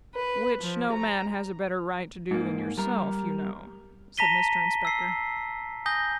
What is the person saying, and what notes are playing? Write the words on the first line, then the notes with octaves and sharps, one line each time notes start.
'Which no man has a better right to do than yourself, you know,' said Mr Inspector.
B4
F3
A#5
G#2 A#3
G3 A#4
A5 A#5 A#6 B6 D#7 G7
E6 C7
G#5 D#6 G6 A#6 G7